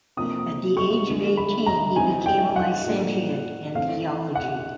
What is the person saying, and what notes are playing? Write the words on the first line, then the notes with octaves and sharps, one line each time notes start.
At the age of eighteen, he became a licentiate in theology.
C3 F3 A#3 D#6
C#6
D3 F3 G#3
B5
A#5
E3 G#3 C4 D#4 G#5
G5
F#5
A2 F3 A#3 D4
E3 A3 C4 F5
F#5